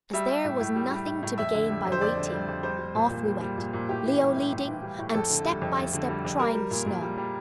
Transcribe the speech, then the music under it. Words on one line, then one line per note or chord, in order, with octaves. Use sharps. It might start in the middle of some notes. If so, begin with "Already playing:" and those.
As there was nothing to be gained by waiting, off we went, Leo leading and step by step trying the snow.
G3 E5
G3
A2
A2
G3
G3
A2
A2
F2 E5
D3
G3
F2
C5
F2 D5
D3
G3
F2
G3 C5
G3
A#2
A#2
G3
G3
A#2
A#2
A2 G4
E3
G3
A2
A2
E3
G3
A2
F2 A4
D3
G3
F2
F2
D3
G3
F2
G3 A#4
G3
A#2
A#2
G3
G3